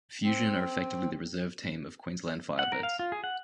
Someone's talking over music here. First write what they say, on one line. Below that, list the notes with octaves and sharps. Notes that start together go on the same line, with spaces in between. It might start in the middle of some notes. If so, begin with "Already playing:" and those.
Fusion are effectively the reserve team of Queensland Firebirds.
C4
F#5
A#4
F5
F4
G#4
F#5